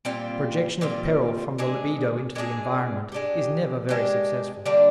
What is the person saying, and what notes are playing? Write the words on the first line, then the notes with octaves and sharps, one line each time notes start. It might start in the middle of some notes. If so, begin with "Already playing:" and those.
The projection of peril from the libido into the environment is never very successful.
A#2 G3 C4 F4
A#2 G3 C4 F4
A#2 G#3 D4 G#4
A#2 G#3 D4 G#4
G#3 D4 G4
G#3 D4 G4
D3 G3 A#3 D4